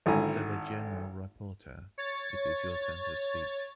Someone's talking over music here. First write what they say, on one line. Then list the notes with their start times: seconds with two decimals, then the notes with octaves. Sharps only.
Mr. the General Rapporteur, it is your turn to speak.
0.06 G#1 D3 E4 G#5 A#5
1.98 C#5 A6